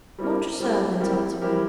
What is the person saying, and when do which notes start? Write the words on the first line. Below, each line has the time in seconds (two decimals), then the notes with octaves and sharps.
Montresor went up to her.
0.19 G3 C4 E4 G4 A#4
0.60 G3 C4 E4 G4 A#4
1.00 G3 C4 E4 G4 A#4
1.42 G3 C4 E4 G4 A#4